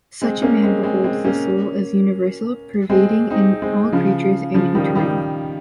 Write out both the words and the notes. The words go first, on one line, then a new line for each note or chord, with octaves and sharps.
Such a man "beholds the soul as universal, pervading in all creatures, and eternal".
G#3 C4
A#3 C#4
G#3 C4
G#3 C4
G#3 C4
A#3 C#4
G#3 C4
C4 D#4
G#3 C4
C#3 F3
C#3 F3
D#3 G3
D#3 G3